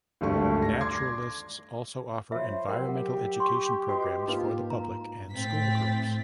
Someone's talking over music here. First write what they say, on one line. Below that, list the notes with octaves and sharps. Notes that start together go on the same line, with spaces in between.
Naturalists also offer environmental education programs for the public and school groups.
G#1 D2 G3 A3 C#6
D5 A#6
C6 D6 G#6
F3 C5 C#5 E5 B5
F#3 G4 A#4 F#5 G5
C6 C#6
F#4 B4 D#5 C6
G#2 A#3 D#4 F4 B4
A#5
A2 C4 A6 B6